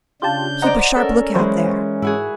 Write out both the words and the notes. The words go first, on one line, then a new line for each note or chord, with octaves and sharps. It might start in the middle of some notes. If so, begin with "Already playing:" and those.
Keep a sharp lookout there.
C#3 D4 F4 G4 A5 G6
C5 D5 D#5 F#5 A#5
C#4 A4 A#4
E3 F#3 G#3 C5 C#5
G#2 E4 F#4 G#4